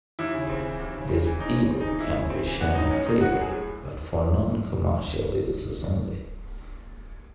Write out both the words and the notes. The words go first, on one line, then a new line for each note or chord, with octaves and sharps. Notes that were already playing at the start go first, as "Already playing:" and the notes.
This e-book can be shared freely but for non-commercial uses only.
D#2 E4
C#3
C4
E3
D#2
C#3
C4
E3
D#2 D#4
C#3
C4
E3 D#4
D#2 E4
C#3
C4
E3
A2 F#4
F#3 D#4
A2 C#4
C4 D#4
A2 F#4
F#3
G#4
A2